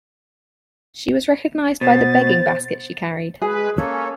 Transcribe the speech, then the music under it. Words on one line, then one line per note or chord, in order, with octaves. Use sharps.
She was recognized by the begging basket she carried.
B2 C5 A6
G#3 G#4 B4
A#3 C#4 A4 C#5